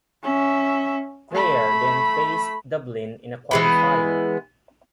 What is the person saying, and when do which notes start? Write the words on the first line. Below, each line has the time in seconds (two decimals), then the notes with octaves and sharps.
Clare then faced Dublin in a Qualifier.
0.23 C#4 E5
1.32 A3 B5
3.51 E3 G#3 B3